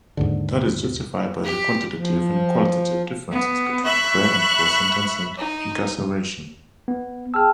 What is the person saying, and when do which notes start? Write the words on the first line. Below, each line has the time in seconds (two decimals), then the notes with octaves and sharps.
That is justified by the quantitative and qualitative differences between pre-and post-sentencing incarceration.
0.17 D#2 G#2 D3
1.44 G4
1.96 F3
3.29 B3
3.85 E5 B5 C#6 F#6
5.38 D#4
6.88 B3
7.34 G#4 G5 A5 E6 F6